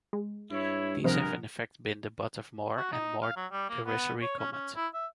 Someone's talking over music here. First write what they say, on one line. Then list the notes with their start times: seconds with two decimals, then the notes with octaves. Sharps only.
These have in fact been the butt of more and more derisory comment.
0.13 G#3
0.51 G2 E4 C#5
1.04 C3 F3 G#3 B3 A#4
2.77 F#4
2.92 D#4
3.22 F5
3.37 F#3
3.51 G3
3.69 A#3
3.86 B3
4.22 C#5
4.39 C#4
4.53 C#4
4.76 E4
4.94 E5